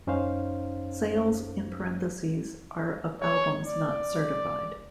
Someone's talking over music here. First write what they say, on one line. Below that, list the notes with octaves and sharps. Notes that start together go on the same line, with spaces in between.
Sales in parentheses are of albums not certified.
F#2 C#4 D#4 C5 F5
C#5
D5